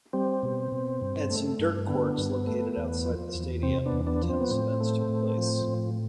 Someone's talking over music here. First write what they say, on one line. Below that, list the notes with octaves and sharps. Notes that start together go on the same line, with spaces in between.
At some dirt courts located outside the stadium, the tennis events took place.
G3 C4
B2
B2
G2
A3
G2
D3 B3
G2
A3
E2
F3
E2
C3 C4
B3 D4
E2
B3 D4
F3
C4
B3
A2 C4
A3
A2
F3
A2